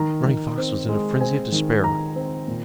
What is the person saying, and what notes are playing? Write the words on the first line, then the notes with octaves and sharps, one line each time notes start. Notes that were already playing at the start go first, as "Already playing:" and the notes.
Running Fox was in a frenzy of despair.
Already playing: D#3 A#5
D#3
C4
G#3
C4 G#5
D#3
D#3 A#5
C4
A#2